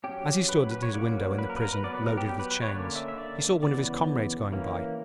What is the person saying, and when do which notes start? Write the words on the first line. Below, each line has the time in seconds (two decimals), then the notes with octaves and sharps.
As he stood at his window in the prison, loaded with chains, he saw one of his comrades going by.
0.04 F#3 C#4 G4
0.49 B4
0.71 B4
0.83 C#5
0.93 F#3 A#3 C#4 D5
1.38 B4
1.50 A#4
1.56 B4
1.61 A#4
1.73 B4
1.84 F#3 B3 D5
1.95 B4
2.06 A#4
2.17 G4
2.28 G4
2.39 B4
2.51 B4
2.62 C#5
2.72 D3 A#3 C#4 D5
2.96 E5
3.08 E5
3.18 D5
3.63 C#3 E3 B3 D5
4.52 E3 A#3 C#4